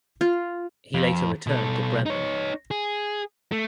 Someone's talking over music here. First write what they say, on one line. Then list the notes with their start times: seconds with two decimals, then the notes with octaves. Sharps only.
He later returned to Bremen.
0.21 F4
0.94 F2
1.47 B2 A4
2.06 D#4 C#5
2.71 G#4
3.52 A3